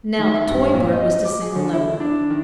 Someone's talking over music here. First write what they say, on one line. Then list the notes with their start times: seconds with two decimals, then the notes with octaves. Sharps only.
Now the toy bird was to sing alone.
0.18 D#3
0.34 E5
0.47 G2
0.74 A#2
0.92 D#5
1.25 D6
1.42 G#4
1.56 D3
1.73 E4
2.00 D4
2.30 D#3